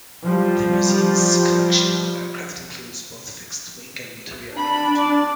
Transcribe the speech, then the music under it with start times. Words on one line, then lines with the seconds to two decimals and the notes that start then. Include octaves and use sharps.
The Museum's collection of aircraft includes both fixed wing and rotary aircraft.
0.24 F3 G3
4.56 D4 B5
4.98 D5